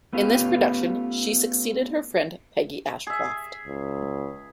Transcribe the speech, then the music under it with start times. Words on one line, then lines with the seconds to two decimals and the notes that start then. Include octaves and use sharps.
In this production, she succeeded her friend Peggy Ashcroft.
0.13 A3 B3 C#4 F4 G4 B4
3.07 G#4 E5
3.67 C#2